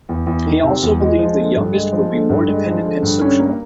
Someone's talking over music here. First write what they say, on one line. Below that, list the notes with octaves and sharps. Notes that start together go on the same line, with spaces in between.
He also believed the youngest would be more dependent and sociable.
E2
E2
D#3
C3
E2
G#3
F3
D3
G2
G#3
F3
D3
G2
G#3
F3
D3
G2
C#4
A#3